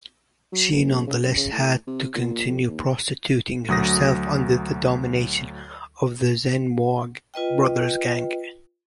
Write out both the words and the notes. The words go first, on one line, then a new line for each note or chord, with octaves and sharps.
She nonetheless had to continue prostituting herself under the domination of the Zenmour Brothers gang.
F#3
F#1
C#3
F#2
C#3
A2
C3
A#2
F2
D#2
D2 F#3 D#6 A#6
F4 B4 D#5 G5